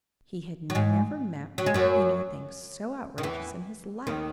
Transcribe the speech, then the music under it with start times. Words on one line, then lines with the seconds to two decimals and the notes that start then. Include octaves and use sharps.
He had never met with anything so outrageous in his life.
0.70 F#3
0.75 G#2 G#3
1.58 F#3
1.66 G#3
1.74 F#2 F#3
3.18 D#3
3.23 E2 E3
4.07 D#2 D#3